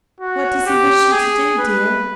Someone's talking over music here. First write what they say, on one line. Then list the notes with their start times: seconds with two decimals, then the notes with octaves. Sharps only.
'What does he wish you to do, dear?'
0.21 F#4
0.66 G4
1.12 G#4
1.58 B4